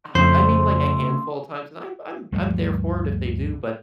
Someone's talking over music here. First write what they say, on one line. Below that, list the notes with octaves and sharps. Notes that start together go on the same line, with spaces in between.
Ah, I mean, like, a handful of times, and I'm I'm I'm there for it if they do, but,
F2 C#3 A3 C5 C6
D2 G2 F3 A3